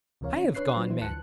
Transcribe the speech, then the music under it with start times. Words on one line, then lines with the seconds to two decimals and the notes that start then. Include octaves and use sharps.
I have gone mad....
0.21 C#2 C3 E3 A#4 C#5 F5
0.35 C#4
0.55 D4 B4 C#5 F#6 C7
0.73 F#3 D4 F4 B4 C5
0.89 E3 F3 E4 B4 C5
1.01 D2 A5 F#6 C#7